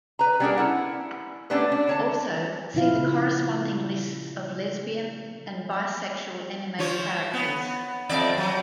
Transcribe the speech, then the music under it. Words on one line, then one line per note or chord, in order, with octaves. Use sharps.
Also see the corresponding lists of lesbian and bisexual anime characters.
B4 A#5
G3 B3 C#4 D4 G#4 A#4
C#4 E4 F#5
A3 B3 C#4 D4 G4 B4
D4
D3 C#5 A5
A#2 C#3 F3 E4 F4 F5
F3 F4 C#5
B3
F2 D5 E5
F#3